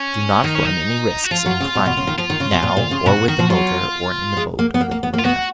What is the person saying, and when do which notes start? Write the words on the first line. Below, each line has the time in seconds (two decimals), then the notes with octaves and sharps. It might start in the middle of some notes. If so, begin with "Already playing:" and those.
Do not run any risks in climbing, now, or with the motor, or in the boat ... little Leda ...'
Already playing: C#4
0.44 D#3 D#4
0.55 C#4
0.65 D#4
1.24 F#4
1.31 F3 F4
1.46 F#3
1.60 C#3
1.75 B2
1.86 B2
1.97 C#3
2.07 D#3
2.18 F3 F4
2.30 D#3
2.40 C#3
2.51 B2
2.63 A#2
2.77 A#2
2.91 C#3
3.06 B2 F#4
3.16 G#2
3.28 D#3 F#4
3.39 F3
3.50 F#3 F4
4.37 G#3
4.59 A#3
4.74 B3
4.81 A#3
4.91 A#3
5.03 B3
5.14 A#3
5.19 F4
5.24 B3 F#4